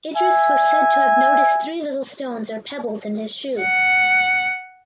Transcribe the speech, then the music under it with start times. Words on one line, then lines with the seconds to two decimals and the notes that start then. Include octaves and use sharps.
Idris was said to have noticed three little stones or pebbles in his shoe.
0.16 E5 G#5
3.61 F#5